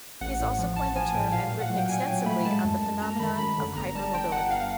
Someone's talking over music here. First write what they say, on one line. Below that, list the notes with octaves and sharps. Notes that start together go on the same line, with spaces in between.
He has also coined the term and written extensively on the phenomenon of hypermobility.
A1 F#5
A2
F3
A1 A5
F3 G#5
A2 G5
A#2 F5
A#2
F#5
F#3
G5
A#2 G#5
F#3 G5
A3 B5
G#3 A5
F#2
F#2
F#2 A#5
D#3 B5
F#2 B5
D3
G1 A#5
G3 A5
G1 G5
G1 F#5
G1 F5